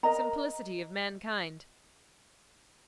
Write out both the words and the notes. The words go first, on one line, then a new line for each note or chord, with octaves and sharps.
Simplicity of mankind!
A#4 D#5 A#5